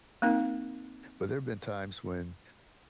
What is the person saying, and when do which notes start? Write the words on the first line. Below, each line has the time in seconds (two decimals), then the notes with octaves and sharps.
but there've been times when
0.22 A#3 C4 D#4 A#4